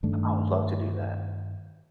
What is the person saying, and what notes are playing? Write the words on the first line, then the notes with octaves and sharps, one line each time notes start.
I would love to do that.
G2 D#3 A3 D4